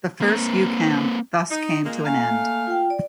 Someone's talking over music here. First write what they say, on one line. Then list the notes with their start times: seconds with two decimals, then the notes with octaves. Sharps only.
The first yukam thus came to an end.
0.21 A#3 C4
1.49 D#4
1.84 A#2 G#3 A#3
2.04 A3 A#3 F5 G#5
2.67 F4 G5
2.90 D5